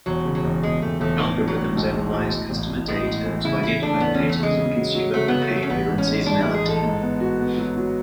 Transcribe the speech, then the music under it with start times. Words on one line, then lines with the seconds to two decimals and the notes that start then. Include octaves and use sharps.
Algorithms analyze customer data to identify patterns in consumer behavior and seasonality.
0.06 E1 F#3
0.25 C#3
0.35 F#3
0.44 E1
0.63 E1 G#3
0.81 E1 A3
1.00 E1 A3
1.19 A2 E3
1.38 D4
1.47 F#3
1.57 A2
1.75 B1
1.94 G#3
2.13 A2
2.32 A2
2.50 A1
2.69 A1
2.88 A2 G#3
3.07 A1
3.25 E3
3.45 C#3 E4
3.63 E3 E4
3.82 A3 D4
4.00 E2 B3
4.14 C#4
4.20 E3
4.29 A3
4.39 C#3 G#3
4.57 C#3
4.76 F#3
4.95 F#3
5.13 C#3 A3
5.28 C#3 B3
5.42 A3
5.51 F#3
5.56 A3
5.63 C#4
5.70 A1 B3
5.89 A1
5.98 C#4
6.08 G#3
6.26 A1 D4
6.41 G#3 E4
6.54 G#4
6.64 A1
6.69 A4
6.83 G#2
7.01 B3
7.20 F#4
7.39 B3
7.58 F#3
7.77 F#3